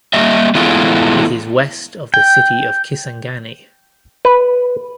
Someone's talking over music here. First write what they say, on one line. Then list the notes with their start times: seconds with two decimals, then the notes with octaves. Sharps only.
It is west of the city of Kisangani.
0.13 G3 A#3 D#5 E5
0.55 E3 G#3 A3 B3 E4 F4
2.14 G5
4.25 B4